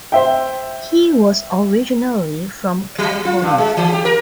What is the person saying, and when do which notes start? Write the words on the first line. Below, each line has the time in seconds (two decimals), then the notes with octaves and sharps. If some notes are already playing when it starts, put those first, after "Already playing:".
He was originally from California.
0.12 C5 E5 G5
2.98 F#3
3.25 F4
3.42 G2
3.58 G#3
3.77 E3
3.93 G4
4.05 A#4